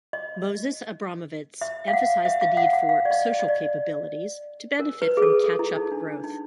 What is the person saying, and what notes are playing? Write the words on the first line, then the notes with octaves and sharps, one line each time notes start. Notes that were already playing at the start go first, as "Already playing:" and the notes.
Moses Abramovitz emphasised the need for 'Social Capabilities' to benefit from catch-up growth.
D#5
E5
F5
F#5
E5
F5
F#5
F#5
F5
D5
D#5
D5
D#5
D5
A#4
B4
G#4
A4
A4
E4
D#4
D4
D4
D#4